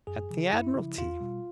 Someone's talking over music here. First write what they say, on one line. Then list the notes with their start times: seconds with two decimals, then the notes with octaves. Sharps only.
"At the Admiralty."
0.07 F#2 G#4
0.30 C#3 F3
0.53 F#2 E4
0.75 C#3 F3
0.98 E2 F4
1.20 B2 G3